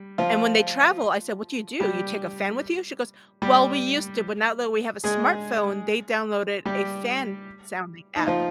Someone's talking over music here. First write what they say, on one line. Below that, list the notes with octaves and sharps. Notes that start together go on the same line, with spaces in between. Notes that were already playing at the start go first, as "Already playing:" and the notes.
And, when they travel, I said, "What do you do, you take a fan with you?" She goes, "Well, we used to, but now that we have a smartphone," they downloaded a fan sounding app.
Already playing: G3
F3 F4
G3 G4
G3 G4
G#3 G#4
G3 G4
D#4
F3 F4